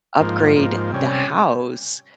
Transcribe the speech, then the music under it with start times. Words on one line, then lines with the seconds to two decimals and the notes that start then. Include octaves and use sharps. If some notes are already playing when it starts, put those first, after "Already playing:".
upgrade the house,
0.20 G#2 F3 A#3
0.56 G#2 F3 A#3
0.92 C3 G3 C#4